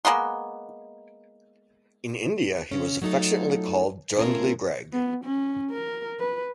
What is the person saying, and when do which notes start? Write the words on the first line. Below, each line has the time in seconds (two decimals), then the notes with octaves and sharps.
In India, he was affectionately called "Jungly" Greig.
0.05 G#3 A#3 B3 C6
2.71 C#3 C#4
3.02 F#3 A3 D#4 F4 A4
4.17 A3 B3 C#4 F4 G#4 A#4
4.93 B3
5.24 C#4
5.71 A#4
6.20 B4